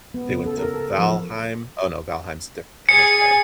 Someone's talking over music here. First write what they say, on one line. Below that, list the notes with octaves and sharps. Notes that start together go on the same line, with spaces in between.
They went to V Valheim. Oh, no, Valheim's a different game, I'm sorry.
B3
C#3
A4
A#4
A4
F3
G#4 G#5 A6 C#7